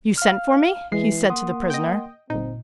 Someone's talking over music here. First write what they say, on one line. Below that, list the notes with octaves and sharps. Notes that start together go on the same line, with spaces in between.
"You sent for me?" he said to the prisoner.
F5 F6
E3 G#3 C7
A#3 F#5 C6 D#6
D#5 G5
G1 A#2 C4 D#4